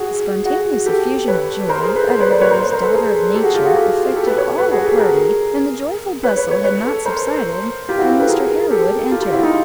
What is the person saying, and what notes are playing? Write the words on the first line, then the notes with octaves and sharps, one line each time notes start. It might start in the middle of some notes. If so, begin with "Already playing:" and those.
The spontaneous effusion of joy, uttered by this daughter of nature, affected all the party, and the joyful bustle had not subsided when Mr. Harewood entered.
Already playing: F#4 G#4
F#4 G#4
G4 A4
B4 C#5
A#4 C5
G#4 A#4
A4 B4
A#4 C5
B4 C#5
C5 D5
B4 C#5
A#4 C5
B4 C#5
A#4 C5
A4 B4
G#4 A#4
G4 A4
F#4 G#4
F4 G4
F#4 G#4
G4 A4
G4 A4
A4 B4
B4 C#5
A4 B4
F#4 G#4
G4 A4
G#4 A#4
B4 C#5
B4 C#5
B4 C#5
B4 C#5
A4 B4
A#4 C5
F4 G4
E4 F#4
A4 B4
G#4 A#4
A#4
G4 A4
F4 G4
F4 G4
E4 F#4
D#4 F4